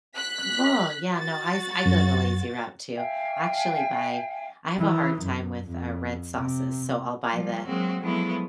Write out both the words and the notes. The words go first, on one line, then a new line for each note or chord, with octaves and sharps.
Cool. Yeah, no, I s I go the lazy route too. I actually buy I have a hard time with, uh, red sauces, so I'll buy the
F#6 B6
F#4 A6
F#2
E5 F5 G5 G#5
E3 D#4
F#2
F2
C3
F3 G3
F#3 G#3 A#3 C4 F#4
F3 F#3 G#3 A3 B3 E4